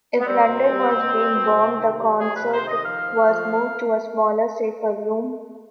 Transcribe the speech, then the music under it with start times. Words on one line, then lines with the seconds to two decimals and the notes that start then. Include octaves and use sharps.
If London was being bombed, the concert was moved to a smaller, safer room.
0.19 B3
0.26 G3 C4
0.48 B2
0.70 G3
0.92 B2
1.13 G3
1.34 B2
1.56 C3
1.77 D#3
1.98 G3
2.20 F2 G#4
2.36 B4
2.42 C3
2.52 C5
2.62 D#3
2.68 D#5
2.84 F3 F5
3.05 G#2
3.27 F3